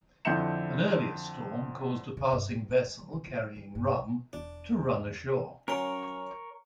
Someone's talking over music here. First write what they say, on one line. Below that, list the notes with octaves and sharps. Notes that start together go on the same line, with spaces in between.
An earlier storm caused a passing vessel carrying rum to run ashore.
F2 D3 E4 G6 C#7 E7
C#3
G2
F2
D4
G#3
G3
C#3
F4
F#3
E3
G2
C2
E1 D4
F#3 C#4 A#4 C#5 C6